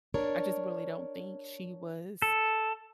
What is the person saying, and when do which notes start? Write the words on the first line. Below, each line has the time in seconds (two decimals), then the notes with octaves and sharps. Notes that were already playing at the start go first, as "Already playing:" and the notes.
I just really don't think she was,
0.14 D4 A#4 C#5
2.22 A4